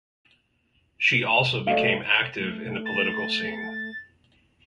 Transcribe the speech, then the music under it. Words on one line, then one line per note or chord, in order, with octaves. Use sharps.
She also became active in the political scene.
F#3 A3 D5 D#5 F5
A3
A6